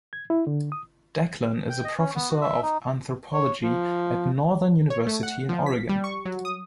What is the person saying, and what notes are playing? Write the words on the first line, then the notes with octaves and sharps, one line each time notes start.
Declan is a Professor of Anthropology at Northern University in Oregon.
G#6
E4
D3
D#6
G5
D#5
C#4
B3
F#4
E5
D#4
C#5
F3
C#5
A3
F#5
F3
B6
G3
C#6
F#3
D#6